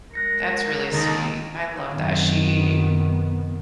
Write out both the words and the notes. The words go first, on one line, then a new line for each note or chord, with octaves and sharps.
That's really sweet. I love that. She
G#3 A#4 F#6 A#6 C#7
D#2 D#4 A4 A#5
F#2 C3 D#3 B3